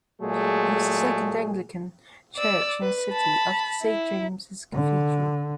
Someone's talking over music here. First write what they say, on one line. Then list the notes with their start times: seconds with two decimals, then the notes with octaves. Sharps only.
It was the second Anglican church in the city, after Saint James' Cathedral.
0.21 A#2 F#3 G#3 A3 G#4
2.36 D5 E6
2.82 B4
3.13 A5 B5
3.82 E4
4.74 D3